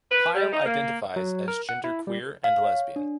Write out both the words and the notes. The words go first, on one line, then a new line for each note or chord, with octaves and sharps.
Pyle identifies as genderqueer and lesbian.
B4
G3
D#4
A#3
F#3
A#4
F#5
E4
G3
F5
C#5
D4